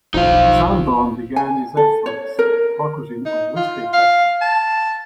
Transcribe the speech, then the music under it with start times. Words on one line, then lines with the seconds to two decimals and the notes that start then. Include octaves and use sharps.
Sanborn began his efforts focusing on whiskey taxes.
0.14 D#1 B1 F3 D#4 F5
1.36 G#5
1.77 A4
2.06 C#5
2.39 A#4
3.26 D#4
3.56 F4
3.93 F5
4.42 A5